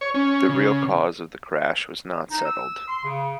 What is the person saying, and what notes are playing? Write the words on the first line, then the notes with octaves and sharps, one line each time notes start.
The real cause of the crash was not settled.
C#5
C#4
C#3
D#4
E6
C6
C#3